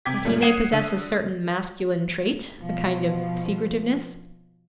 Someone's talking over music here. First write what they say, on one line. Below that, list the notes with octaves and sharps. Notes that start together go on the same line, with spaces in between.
'But he may possess a certain masculine trait, a kind of secretiveness.'
C3 G5 D6 G#6 B6
F#2 A#2 G3 A3
F#5 D#6 G#6 C7 D#7 E7
D3 D#7
B2 F3